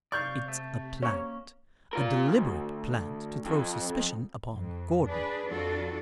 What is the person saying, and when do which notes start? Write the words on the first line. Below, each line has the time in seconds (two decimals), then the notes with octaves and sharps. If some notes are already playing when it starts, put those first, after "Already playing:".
"It's a plant; a deliberate plant to throw suspicion upon Gordon."
0.12 C3 D5 F5 C#6 G6
0.48 A3
1.03 A#3 C#4 C#5
1.93 F4 A#4
2.28 D2
3.46 F2
4.54 F2
5.06 D4 G#4 B4
5.48 F2 D4 F4 F#4 A4